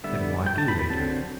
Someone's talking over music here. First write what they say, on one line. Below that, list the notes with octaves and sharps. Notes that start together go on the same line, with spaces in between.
Then why do they do it?
D3 G3 B3 E5
G5
A5
B5
B5
D3 F#3 C4 A5